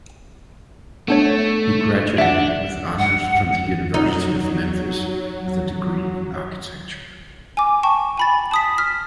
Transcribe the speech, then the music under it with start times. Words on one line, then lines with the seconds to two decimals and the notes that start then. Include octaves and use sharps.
He graduated with honors from the University of Memphis with a degree in Architecture.
1.08 A3 B3 D4 C#5
2.18 D4 E5 F#5
2.99 F#5
3.94 F#3 D#4
7.57 G#5 D6
7.83 G5 A5 C#6
8.17 G#5 B5 A6
8.51 A5 D#6 B6
8.78 F6 B6